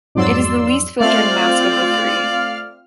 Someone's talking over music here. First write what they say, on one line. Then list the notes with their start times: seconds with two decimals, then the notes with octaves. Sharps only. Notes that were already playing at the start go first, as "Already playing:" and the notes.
It is the least filtering mask of the three.
0.15 F2 G#2 F#3 D5 C6 E6
1.01 A3 C4 F4 D5 F5 F6